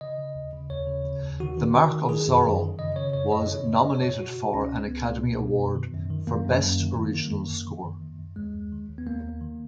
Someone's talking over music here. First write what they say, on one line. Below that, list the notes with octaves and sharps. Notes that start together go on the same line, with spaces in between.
"The Mark of Zorro" was nominated for an Academy Award for Best original score.
C#3 D#5
C#3
D#2
C#3
D#2 C#5
C#3
C#3
D#2
D#3 F#4
D#3
D#3
D#3
D#3 G#4
F#2
F#2
D#3
C#3 D#5
C#3 C#5
F#2 C#5
F#2 D#5
C#3 C#5
C#3
D#5
C#3
C#5
F#2
B2 F#4
B2
C#2 C#4
C#2
C#2 B3
C#2
B2
B2
F#2
D#3
F#2
D#3
F#2 A#3
F#2
F#2
D#3
F#2
D#3
F#2
F#2
D#3
D#3
F#2
F#2
D#2 G#3
D#2
D#3
D#2
B3
D#2 A#3
D#2
D#3